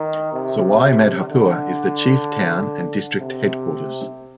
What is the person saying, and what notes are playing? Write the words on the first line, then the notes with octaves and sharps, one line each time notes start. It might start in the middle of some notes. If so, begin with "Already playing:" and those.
Sawai Madhopur is the chief town and district headquarters.
Already playing: D#3
C3
D3
C3